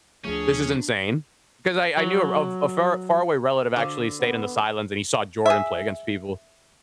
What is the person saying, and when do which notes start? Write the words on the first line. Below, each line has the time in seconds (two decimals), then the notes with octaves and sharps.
This is insane." 'Cause I I knew a a far far away relative actually stayed in the sidelines and he saw Jordan play against people.
0.25 D2 F3 A3 C#4 D4 G#4
1.97 F#3
3.76 D3 F#4 C5 F5
4.20 B3
5.46 G#4 E5